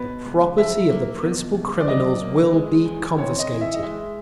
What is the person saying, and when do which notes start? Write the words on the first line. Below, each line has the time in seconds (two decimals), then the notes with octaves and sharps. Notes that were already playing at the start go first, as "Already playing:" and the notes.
The property of the principal criminals will be confiscated.
Already playing: B2 B4
0.25 C#2
0.58 F#3 E5
0.90 A#3
1.23 B2
1.55 C#2
1.80 D5
1.88 F#3 D#5
2.20 A#3
2.53 G#3
2.85 E3
3.18 C4 C#5
3.39 D#5
3.51 E3
3.61 E5
3.74 D#5
3.83 G#3 E5